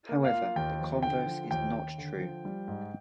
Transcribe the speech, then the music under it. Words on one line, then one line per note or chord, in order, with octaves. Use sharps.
However the converse is not true.
A#3
F5
F4
D#2 G5
F3
D3 G5
F3
D#2 G5
D#2
D3
F3
G3
G#2